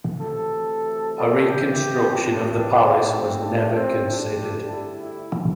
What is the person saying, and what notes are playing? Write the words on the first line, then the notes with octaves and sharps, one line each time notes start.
A reconstruction of the palace was never considered.
D2 C3 E3 A4
A4
A1 G2 E3 G3 C4 G4
D4
A2 G3 C4
C4
D4
C4
D2 D3 G3 D4
E4
E4